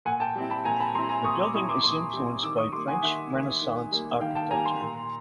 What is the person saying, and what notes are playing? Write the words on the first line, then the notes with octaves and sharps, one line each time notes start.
The building is influenced by French Renaissance architecture.
A#2 F#5 G#5
G5 A5
G3 C4 E4
A5 B5
A#2 G#5 A#5
A5 B5
G3 C4 E4 A#5 C6
G#5 A#5
A#2 C#6 D#6
D6 E6
G3 C4 E4 C#6 D#6
C6 D6
A#2 C6 D6
G3 C4 E4
D#3 D6 E6
C#6 D#6
G3 A#3 C6 D6
F#5 G#5
D#3 E5 F#5
G3 A#3
D#3
G3 A#3
D#3 F5 G5
G5 A5
G3 A#3 G#5 A#5
A#5 C6
A#2